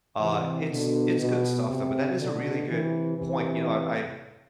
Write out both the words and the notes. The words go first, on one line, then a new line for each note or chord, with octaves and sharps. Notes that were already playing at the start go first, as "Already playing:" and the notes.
Uh, it's it's good stuff, though, but that is a really good point, you know, I I
C3 E3
B2 D3
B2
C3
B2 D3
C3 E3
C3 E3